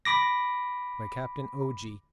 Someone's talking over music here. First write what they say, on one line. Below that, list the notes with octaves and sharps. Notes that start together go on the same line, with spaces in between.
By Captain O.G.
B5 D6 A#6